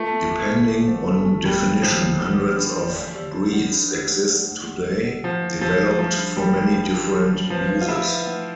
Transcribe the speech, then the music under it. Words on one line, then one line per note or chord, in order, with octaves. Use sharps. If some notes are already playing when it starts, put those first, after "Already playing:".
Depending on definition, hundreds of "breeds" exist today, developed for many different uses.
Already playing: A3 F4
B3
F4
B3
F4
C5
B3
B3
E3 G3
E3
E3 F3
E3
A3
E3
D4
E3
D5
G4
D4
A3
D4
G4
A3
A3
A3
A3
G4
A3
F3 A3
E4
F3 G4
A3
F3 G3
D4
E3 G3
E3
D4
F4
D4
E3
F3 B4
B4
F4
A3 E4
B4
A3